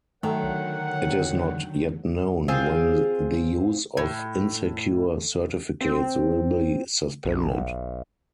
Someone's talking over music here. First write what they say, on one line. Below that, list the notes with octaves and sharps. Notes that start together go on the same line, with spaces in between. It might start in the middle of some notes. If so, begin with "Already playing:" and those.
It is not yet known when the use of insecure certificates will be suspended.
D3 D#3 F#3 A3 A#4 C#5 F#5
C4 F4 G#4
A2
C4
B1